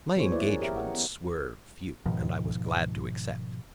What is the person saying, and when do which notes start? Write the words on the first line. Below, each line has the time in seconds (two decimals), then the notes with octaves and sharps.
My engagements were few, and I was glad to accept.
0.16 E3 F#3 B3 G#4 C5 C#5
0.32 A#3 E4 B4 D5
0.45 C#4 E4 G#4 A#4
0.60 G4 A#4 C#5 E5
0.76 F#5
0.94 B3
2.06 G#2 B2 D#3 F3